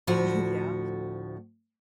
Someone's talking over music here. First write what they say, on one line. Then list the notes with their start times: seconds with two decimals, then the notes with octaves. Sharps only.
Y yeah,
0.07 D2 A2 F3 F#4